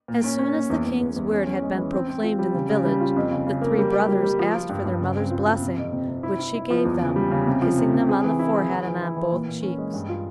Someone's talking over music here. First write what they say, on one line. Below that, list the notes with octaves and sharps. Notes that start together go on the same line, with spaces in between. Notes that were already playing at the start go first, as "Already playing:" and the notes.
As soon as the King's word had been proclaimed in the village, the three brothers asked for their mother's blessing, which she gave them, kissing them on the forehead and on both cheeks.
A#2
C#4
C#4
A#2
E2
E2
E2
E2
C#4
C#4
G#3
E3
C4
C4
F4
G3
C#3
C#3
G3
F4
F2
C#3
C#3
A#3
G3
G4
G3
G3
F3
F4
G2
G2
C#3
C4
F4
F4
C3
F2
C3
C3
E4
E4
E4
F3
E2
C#3
G3
C#3
C3
F3
C3
C3
G#4
E3
E4
G#4
E3
E3
E4
E3
A#2
A#2
C#4
G#3
G2
F4